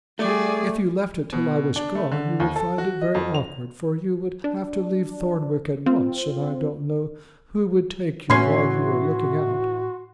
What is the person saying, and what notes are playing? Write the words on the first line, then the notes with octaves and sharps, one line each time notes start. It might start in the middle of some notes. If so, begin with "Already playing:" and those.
If you left it till I was gone, you would find it very awkward, for you would have to leave Thornwick at once, and I don't know who would take you while you were looking out.
G3 A3 G#4 D5
B2
D4
A3
D3
D#2
A4
F#4
D#5
F2
F7
D4
C4 F4
A2 E3 C#4 F#4 C6 G#6 C7